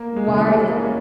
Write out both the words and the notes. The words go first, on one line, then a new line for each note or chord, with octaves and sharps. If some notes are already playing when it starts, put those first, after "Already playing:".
why li
Already playing: A#3
G#3
C#3
E3
G3
G#3
A#3
C#4